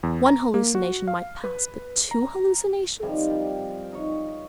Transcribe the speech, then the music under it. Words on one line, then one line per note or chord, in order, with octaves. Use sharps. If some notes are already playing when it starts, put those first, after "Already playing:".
One hallucination might pass, but two hallucinations?
E2
A#5
A#3
F#4
F5
B4
A#5
C3 D#3 F3 G3
A#4 D5 G5
D#4 C#5 F5